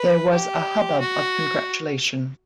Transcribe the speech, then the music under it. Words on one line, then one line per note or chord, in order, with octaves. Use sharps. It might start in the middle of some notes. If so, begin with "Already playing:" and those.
There was a hubbub of congratulation.
Already playing: B4
G4
F#4